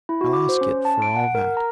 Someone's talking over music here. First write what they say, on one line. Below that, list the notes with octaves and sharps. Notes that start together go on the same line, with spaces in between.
'I'll ask it for all that.
E4
F#4
D6
C5
C#4
A5
D7
F#5
A#4
A#5